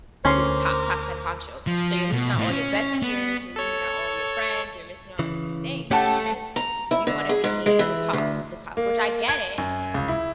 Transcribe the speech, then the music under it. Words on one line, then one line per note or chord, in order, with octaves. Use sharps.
this top, top head honcho. So you're losing out all your best years, you're losing out all your friends, you're missing out on different things because you wanna be the top the top, which, I get it,
D2 D3 C#4 A#4 C5 C6 D6
F3
B2
A2
C#4
B3
A4 C#5
C#3 E3
A3 C#4 G4 F#5 A5
A#5
E4
D3
G#4
G#2
G#3
E3
D2
A#3
G#6
F#2
C#2
E4